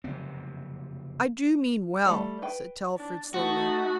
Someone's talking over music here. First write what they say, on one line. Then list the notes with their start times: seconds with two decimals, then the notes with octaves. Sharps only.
"I do mean well," said Telford slowly.
0.04 F#1 F2 C3 C4
2.06 G3 A3
2.42 B4 G5
2.96 D4
3.34 A3 D#4 F#4